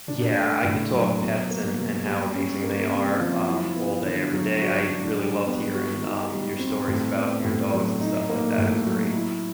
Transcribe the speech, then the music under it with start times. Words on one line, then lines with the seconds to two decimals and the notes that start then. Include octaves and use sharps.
Yeah, I could talk pets and and how amazing they are, um, all day every day. I really loved hearing, um, your stories about your dogs and stuff like that. It was great.
0.08 D4
0.36 A3
0.64 A2
0.93 F#3
1.21 B2
1.50 A#3
1.78 B2
2.06 G3
2.34 C#4
2.63 A#3
2.91 C3
3.20 F3
3.48 E4
3.76 B3
4.05 D3
4.33 F#3
4.61 F#4
4.90 D4
5.18 G3
5.47 B3
5.74 F#4
6.03 D#4
6.31 G3
6.59 C4
6.88 A2
7.16 B3
7.44 A2
7.73 F#3
8.00 D#4
8.29 A#3
8.58 A2
8.86 F#3
9.14 E4